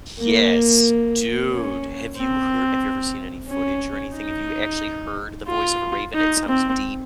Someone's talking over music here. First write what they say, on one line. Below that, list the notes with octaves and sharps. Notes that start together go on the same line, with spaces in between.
Yes, dude, have you hear have you ever seen any footage or anything? Have you actually heard the voice of a raven? It sounds deep,
A#3
C#4
C4
C#4
D#4
F4
D#4
C4